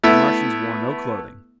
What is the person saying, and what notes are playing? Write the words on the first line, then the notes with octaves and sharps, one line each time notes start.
The Martians wore no clothing.
A3 B3 E4 E5